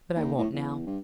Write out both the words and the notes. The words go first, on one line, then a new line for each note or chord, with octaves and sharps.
But I won't now.
D#2
A2
E2
G2